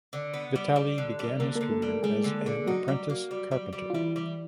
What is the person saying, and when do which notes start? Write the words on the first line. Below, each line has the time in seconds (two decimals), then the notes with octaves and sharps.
Vitali began his career as an apprentice carpenter.
0.13 D3
0.34 B3
0.56 G3
0.76 G3
0.98 D3
1.19 G3
1.39 D3 A#3 A#4
1.55 A#3 A#4
1.61 D3
1.71 A3 A4
1.82 G3
1.88 A3 A4
2.03 G3 G#3 G#4
2.24 D3
2.46 D3
2.67 F#3 D#4 F#4
2.88 G3
3.10 A#3
3.31 G3
3.51 G3
3.73 G3
3.90 F4
3.93 E3 G3 E4
4.16 G3